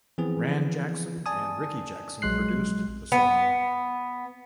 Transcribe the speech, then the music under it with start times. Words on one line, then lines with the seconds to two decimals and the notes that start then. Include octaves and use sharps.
Ran Jackson and Ricky Jackson produced the song.
0.18 E3 F3 B3 C4 G#4
1.26 D5 G#5 A5 D#6
2.22 A#1 F#3 G#3 C6 F#6 C7
3.12 B3